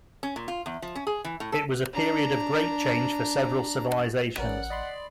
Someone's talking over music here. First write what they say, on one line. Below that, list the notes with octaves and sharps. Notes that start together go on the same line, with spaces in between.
It was a period of great change for several civilizations.
C#4
A#2
F4
E2
F3
C#4
G#4
E3
A2
A4
D4 A#5
A1 C#4 A#4 B4 D5 F#5
D5 D#5 B5 C6